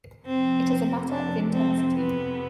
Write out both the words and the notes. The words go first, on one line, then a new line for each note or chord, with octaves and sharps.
It is a matter of intensity.
F2 C3 F3 C4
D4
C4
B3